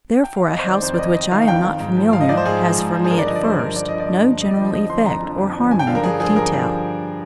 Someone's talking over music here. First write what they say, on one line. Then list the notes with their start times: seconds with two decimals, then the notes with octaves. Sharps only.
Therefore a house with which I am not familiar has for me, at first, no general effect or harmony of detail.
0.24 G5
0.36 F5
0.50 F2 D#5
0.59 C5
0.67 D#3 D5
0.82 F2 C5
0.94 D5
0.99 D#3 D#5
1.15 F2 D#5
1.31 D#3 F5
1.42 F5
1.48 F2 G5
1.64 D#3
1.80 G#2
1.97 F3
2.13 G#2 F5
2.21 D#5
2.29 F3 D5
2.37 C5
2.45 G#2 G#4
2.62 F3
2.78 G#2
2.94 F3
3.04 G#4
3.11 G2 A#4
3.19 D5
3.27 D3 F3 D#5
3.36 D5
3.43 G2 C5
3.59 D3 F3 A#4
3.75 G2 D5
3.88 D3 F3 D#5
4.00 D5
4.08 G2
4.24 D3 F3
4.41 F2 D#5
4.51 D5
4.57 D3 F3 D#5
4.73 F2 D#5
4.90 D3 F3 C6
5.06 F2 A#5
5.23 D3 F3
5.38 F2
5.55 D3 F3
5.71 G2 G#5
5.79 G5
5.87 D3 F3 F5
5.95 A#4
6.03 G2 G#4
6.20 D3 F3 G#4
6.36 G2 A#4
6.52 D3 F3 G#4